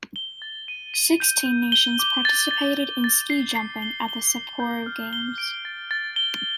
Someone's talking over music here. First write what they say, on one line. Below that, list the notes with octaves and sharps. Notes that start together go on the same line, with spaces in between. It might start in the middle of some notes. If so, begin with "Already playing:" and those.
Sixteen nations participated in ski jumping at the Sapporo Games.
G7
A6
D#7
D#7
G6
G6
G7
D6
A6
A6
A6
A6
C7
C7
G7
G7
C7
G6
F6
G7
D7
A6
A6
G7